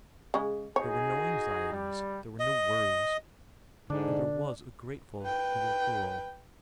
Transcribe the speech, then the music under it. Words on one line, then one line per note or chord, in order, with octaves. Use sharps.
There were no anxieties, there were no worries, and there was a grateful little girl.
C#3 G#3
D#4 F#4 G#4 C#5
G3
D#5
G#2 D3 D4
B4 G5